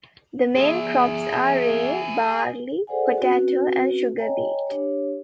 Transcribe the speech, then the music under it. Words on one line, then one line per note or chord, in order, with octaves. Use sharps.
The main crops are rye, barley, potato and sugar beet.
G#4 E5
G#4 A4 C5 D5 F#5 G#5
C4 C#4 F#4 B4
C#5 D#5 G5 G#5 A#5
D4 G4 C#5